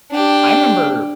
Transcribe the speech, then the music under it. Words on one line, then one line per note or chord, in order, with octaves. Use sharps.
I remember
D4 G4